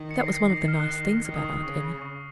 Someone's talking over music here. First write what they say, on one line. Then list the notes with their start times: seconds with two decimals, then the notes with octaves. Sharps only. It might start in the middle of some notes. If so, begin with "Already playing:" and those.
That was one of the nice things about Aunt Emmy.
Already playing: D#3
0.11 C#7
0.19 C7
0.27 A#6
0.35 C7
0.49 D#3 A#6
0.68 F6
0.80 F#6
0.92 F6
1.02 F#6
1.13 F6
1.25 D#3 F6
1.36 D#6
1.45 C#6
1.54 D#6
1.63 C#3 C#6
2.02 C#6